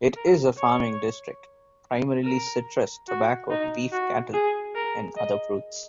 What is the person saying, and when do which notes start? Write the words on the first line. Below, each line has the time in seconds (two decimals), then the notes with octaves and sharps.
It is a farming district, primarily citrus, tobacco, beef cattle and other fruits.
0.16 A#4
0.57 C#5
2.25 A#4
3.08 F#4
3.50 D#4
3.92 F#4
4.33 G#4
4.75 A#4
5.17 D#5